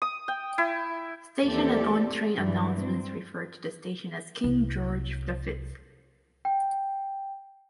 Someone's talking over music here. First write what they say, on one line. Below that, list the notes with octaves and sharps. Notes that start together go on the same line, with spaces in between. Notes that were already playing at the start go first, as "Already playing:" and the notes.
Station and on-train announcements refer to the station as 'King George the Fifth'.
D#6
G5
E4
D#2 E3 C4 G4 A4 D5
G2 E3 G3
C4
C2
G5